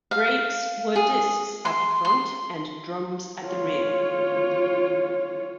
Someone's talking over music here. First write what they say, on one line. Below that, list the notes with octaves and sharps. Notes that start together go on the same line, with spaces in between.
Brakes were discs at the front and drums at the rear.
F5
G#4
C6
C6
F4 C#5